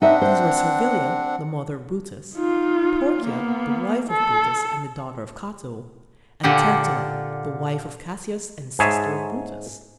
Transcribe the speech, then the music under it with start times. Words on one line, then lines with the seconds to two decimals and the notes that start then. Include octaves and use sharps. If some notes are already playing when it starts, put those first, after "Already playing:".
These were Servilia, the mother of Brutus, Porcia, the wife of Brutus and the daughter of Cato, and Tertulla, the wife of Cassius and sister of Brutus.
0.02 C4 D4 D#4 E5 F#5
0.21 C5
2.35 D#4 F4
3.21 A#3 B3
4.09 A4
6.43 A#2 D3 G4 F#5
8.79 G#2 G#4 C#5 E5 A5